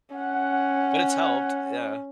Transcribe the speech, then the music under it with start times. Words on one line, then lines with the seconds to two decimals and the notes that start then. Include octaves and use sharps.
But it's helped, yeah.
0.15 C#4 F#5